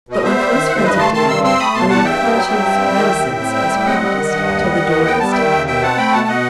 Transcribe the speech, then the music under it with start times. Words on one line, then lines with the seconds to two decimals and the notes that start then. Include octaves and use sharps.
But when close friends are together, a little conscious reticence is practised till the door is tiled.
0.09 B2 D#5
0.24 B3 C5 E5
0.39 G3
0.54 D#3
0.69 D#2 F#5
0.76 E5
0.84 G2 B4 D#5
0.99 A3 A5 C6
1.14 D#3 A5 C6
1.29 G2 C6 E6
1.44 C4 C6 E6
1.59 A3 B5 D#6
1.74 B2 A5 C6
1.89 E2 F#5 A5
2.05 G2 E5 G5
2.20 B3
2.35 F#3
2.50 G2
2.65 C4
2.80 G3
2.96 D#3
3.10 D#2
3.25 A2
3.41 C4
3.56 G3
3.71 A2
3.80 E5
3.86 C4 D#5 F#5
4.01 G3
4.16 D#3
4.32 G2
4.47 D#2
4.61 G3
4.76 D#3
4.92 D#2
5.07 B3 G5
5.19 G3 A5
5.31 E5 G5
5.37 D#3
5.52 D#2
5.67 B2 E5 G5
5.82 C4 F#5 A5
5.98 A3 G5 B5
6.12 B2 F#5 A5
6.28 B2 D#5 F#5